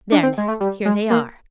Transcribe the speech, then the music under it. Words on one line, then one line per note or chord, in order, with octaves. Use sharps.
There now, here they are.
D4
C4
G#3
A3
G3
G#3
A#3